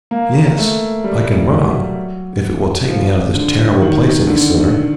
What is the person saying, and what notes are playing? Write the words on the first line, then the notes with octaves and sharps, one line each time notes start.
"Yes, I can run if it will take me out of this terrible place any sooner."
A#3
A3
G3
F#3
F3
D3
D#3
D3